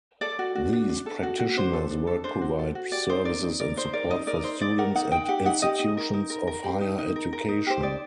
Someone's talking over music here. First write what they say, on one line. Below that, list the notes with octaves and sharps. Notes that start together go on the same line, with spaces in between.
These practitioners work provide services and support for students at institutions of higher education.
A4 D5
F#4
F#4
D4
D4
A4
F#4
F#4
D4 C5
A4
D4
A4
D4 C5
F#4
A4
F#4
G4 D5
D#4 C5
A#4 D5
D#4
A#4 D5
D#4 C5
A#4 D5
D#4 D#5
A#4 D5
D#4 C5
D#4 D5
A#4 F#5
D#4 F#5
D#4 G5
G4 F#5
D#4 F#5
G4 D#5
D#4
A#4
D#4
A#4
A#4
G4
D#4
D#4
A#4
A#4
D#4
G4 C5
D#4 D5